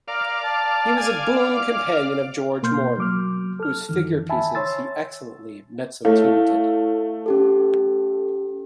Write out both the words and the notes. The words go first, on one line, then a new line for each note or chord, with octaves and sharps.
He was a boon companion of George Morland, whose figure-pieces he excellently mezzotinted.
A#4 D5 F5
A5
G#5
D6
B2 A#3 C6 F6 G6
F#3 D6 F6
A4 F6
F#2 D#3 E3
E5 G#5 A5 B5
C#5 C6 E6 A6
A3 E4 C#5 F5
C#4 G4 A4